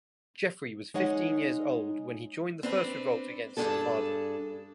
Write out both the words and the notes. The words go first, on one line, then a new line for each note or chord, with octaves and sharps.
Geoffrey was fifteen years old when he joined the first revolt against his father.
G#3 D#4 C#5 F#5
C4 D4 B4
G2 A#2 D4 G#4 A4